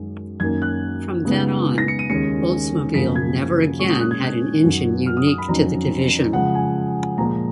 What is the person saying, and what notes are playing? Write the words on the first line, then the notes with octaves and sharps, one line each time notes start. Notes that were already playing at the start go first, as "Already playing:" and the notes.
From then on, Oldsmobile never again had an engine unique to the division.
Already playing: F#2 D#3 G#3
F#2 D#3 A#3 C#4 G#6
F#6
C#3 G#3 B3 D#4
A#6
C#7
D#7
D#2 D#3 G#3 C#4 C#7
F#2 C#3 F3 A#3 B6
G#6
A#2 G#3 C#4 C#6
D#6
F#6
G#6
F#2 D#3 F#3
F6
D#6
D#6
B5
F2 D#3 F#3 C#4 A#5
C#3 F3 G#3 F#5
G#5
A#2 F3 G#3 A#5